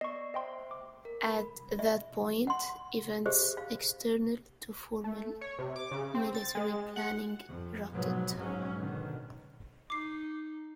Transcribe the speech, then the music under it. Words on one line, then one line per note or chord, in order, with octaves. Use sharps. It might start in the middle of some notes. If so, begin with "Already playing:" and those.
At that point, events external to formal military planning erupted.
B3 D5 D#5 C#6 C7
C5 D#5 E5 G5 C6
D6
A#4
B5
E5
F#5 C6
G4 G#4 C5 E5
F5
A3
C#5
C3
D6
C#3
C4
A6
G#3
F#5
F2
F1 G#2 B2 F3 F#3 B3
B1 G#2 F#3 C#4
B2 D3 D#3
D#4 D6 C7